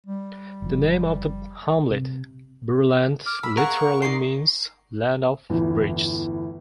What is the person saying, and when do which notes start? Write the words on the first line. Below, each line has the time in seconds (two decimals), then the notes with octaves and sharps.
The name of the hamlet, "Bruland" literally means "land of bridges".
0.06 G3
0.62 F#1 F3
1.90 C3
3.26 D6 F6
3.43 B5 E6
3.57 G#4 A#4 F5 F#5 C#6
4.02 D#4 D5 C6
5.49 G1 E2 A2